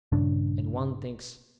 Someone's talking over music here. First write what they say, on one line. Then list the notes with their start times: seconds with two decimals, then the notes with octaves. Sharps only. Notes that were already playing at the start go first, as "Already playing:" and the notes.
And one thinks....
0.12 A#1 G2 C#3 D4